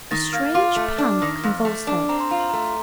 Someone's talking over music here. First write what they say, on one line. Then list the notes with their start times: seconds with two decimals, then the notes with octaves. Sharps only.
A strange pang convulsed her.
0.11 D#3 A6
0.33 A#3 F6
0.54 F4 D6
0.76 A3
0.98 D4
1.22 D#3
1.43 F2
1.65 A3
1.87 D4
2.09 C4 A#5
2.20 C6
2.30 F4 A#5
2.40 C6
2.49 A#5
2.53 A3